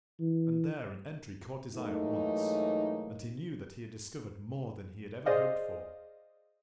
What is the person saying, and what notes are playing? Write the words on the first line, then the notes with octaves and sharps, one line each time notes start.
And there an entry caught his eye at once--and he knew that he had discovered more than he had ever hoped for.
E3
G#2 E3 F#3 A3 A#3 D#4
G#4 C5 D5 D#5 F5